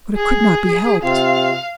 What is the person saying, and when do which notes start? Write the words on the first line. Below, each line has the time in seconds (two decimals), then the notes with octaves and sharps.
But it could not be helped.
0.16 G#4
1.03 C3 C4 F4 F5